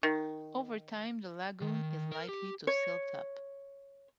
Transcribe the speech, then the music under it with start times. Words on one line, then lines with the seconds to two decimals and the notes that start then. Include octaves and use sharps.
Over time the lagoon is likely to silt up.
0.03 D#3
1.62 D#3
2.12 A#4
2.29 G4
2.67 C#5